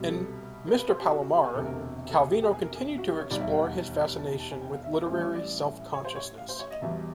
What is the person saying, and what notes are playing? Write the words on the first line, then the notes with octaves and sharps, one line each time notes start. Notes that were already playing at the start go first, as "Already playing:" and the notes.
In "Mr. Palomar", Calvino continued to explore his fascination with literary self-consciousness.
Already playing: C2 B2 G3
A4
A#4
B4
C5
G4
F#4
F#4
G4
G#4
E1 D2 C3 A4
A#4
A4
A4
G#4
G4
G4
G#4
A#4
G#4
F#4
G4
C#5
E1 D#2 D#3 G3 D5
E5
F5
F#5
A5
A5
A5
G#5
G5
F5
E5
A#4
A1 A2 E3 G3 C5
C#5
D5
C#5
C5
C#5
F5
C5
C#5
D#5
E1 E2 B2 G3 E5